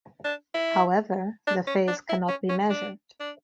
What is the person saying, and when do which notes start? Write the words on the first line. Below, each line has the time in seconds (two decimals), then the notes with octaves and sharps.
However, the phase cannot be measured.
0.24 D4
0.54 E4
1.47 D4
1.67 C#4
1.88 D4
2.09 E4
2.28 C#4
2.49 C#4
2.70 D4
3.20 D4